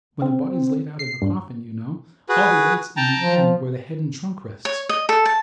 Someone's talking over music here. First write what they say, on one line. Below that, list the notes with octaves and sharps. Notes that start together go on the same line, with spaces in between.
When a body's laid out in a coffin, you know, all the weight's in the end where the head and trunk rest.
C4
C7
G2
F#4 G#4 B4
G5 A5 A#5
F3
C#5
D#5
A4
A5